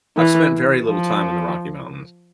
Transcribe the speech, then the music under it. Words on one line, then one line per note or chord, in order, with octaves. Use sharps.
I've spent very little time in the Rocky Mountains.
E3
F3